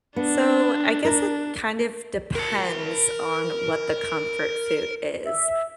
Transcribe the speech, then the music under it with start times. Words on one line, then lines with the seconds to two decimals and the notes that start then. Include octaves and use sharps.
So, I guess it, kind of, depends on what the comfort food is,
0.16 B3 D4
1.05 D4 A#4
2.35 A#4 A5
5.25 E5